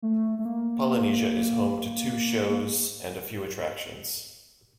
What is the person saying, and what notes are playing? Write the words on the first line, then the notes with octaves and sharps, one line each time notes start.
Polynesia is home to two shows and a few attractions.
A3
A3
A#3
A#3